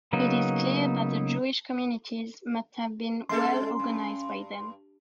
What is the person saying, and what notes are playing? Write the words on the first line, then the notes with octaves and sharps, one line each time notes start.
It is clear that the Jewish communities must have been well-organized by then.
C#3 F#3 A#3 B3 D#4
G#3 A3 C#4 A4 C6
G2